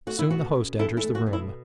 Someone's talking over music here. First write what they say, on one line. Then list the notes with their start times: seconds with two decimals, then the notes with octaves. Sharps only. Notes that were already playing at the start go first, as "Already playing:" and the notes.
Soon the host enters the room.
0.07 A3 F#4
0.19 E4
0.30 B2 F#4
0.55 C#4
0.79 E2 E4 A4
0.97 E4 A4
1.03 A3
1.15 F#4
1.27 B2
1.33 E4